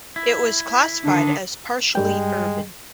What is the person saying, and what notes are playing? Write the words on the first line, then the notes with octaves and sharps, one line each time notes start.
It was classified as partially urban.
E4
D3 D#3 D4
G2 G3 G#3 G5